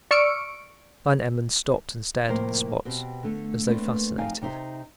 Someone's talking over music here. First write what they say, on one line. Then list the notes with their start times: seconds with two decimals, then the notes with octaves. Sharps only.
Van Emmon stopped and stared at the spot as though fascinated.
0.11 D5 C#6 E6 F6 C#7 D7
2.28 F2 A2 C3 A#3 A#4 C5
2.85 B2 C4 G4
3.23 D3 A3
3.67 A3 A#3 C4 D4 B4
4.18 F2 C4 D#4 F5 G5 G#5
4.42 C3 D#4 C5 E5